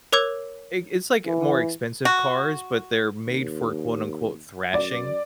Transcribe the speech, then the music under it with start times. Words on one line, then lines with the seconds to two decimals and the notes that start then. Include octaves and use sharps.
i it's like more expensive cars, but they're made for quote, unquote, "thrashing?"
0.12 A#4 C#5 D6 E6 G#6
1.27 E3
2.05 F#4
3.27 D#2
4.74 F#2 D5